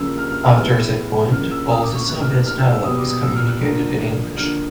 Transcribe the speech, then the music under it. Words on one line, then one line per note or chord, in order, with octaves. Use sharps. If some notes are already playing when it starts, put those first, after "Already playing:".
After that point, all the Soviets' dialogue is communicated in English.
Already playing: C#3 F3 A#3 E6
F6
F6
E6
A2 E3 G#3 B3 F6
C#3 F3 A#3 F6
E6
D#6
D6
C#6
A2 E3 G3 A#3 F#6
F6
F#6
F6
E6
E6
B2 G3 B3 D#6
D6
D#6
E6
F6
F#6
D3 F3 A#3
D3 F3 A#3 F6